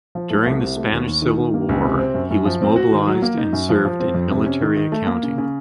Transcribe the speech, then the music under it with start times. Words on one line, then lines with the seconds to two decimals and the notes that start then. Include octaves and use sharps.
During the Spanish civil war he was mobilised and served in military accounting.
0.15 F3
0.30 A3
0.46 C2
0.60 C3
0.76 A3
0.92 D#2
1.08 D#2
1.22 D#3
1.37 D#3
1.54 A#3
1.69 C#2
1.84 C3
1.99 C4
2.14 F#2
2.31 F#2
2.45 F3
2.62 C4
2.76 F#4
2.92 D#3
3.07 F#3
3.22 A#3
3.38 D#4
3.53 F#2
3.69 F3
3.85 F3
4.00 C4
4.14 F2
4.31 C3
4.46 C#4
4.61 D#3
4.77 D#3
4.92 A3
5.07 A#3
5.23 C#3
5.38 C#3